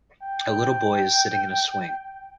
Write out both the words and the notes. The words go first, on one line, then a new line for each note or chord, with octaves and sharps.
A little boy is sitting in a swing.
G5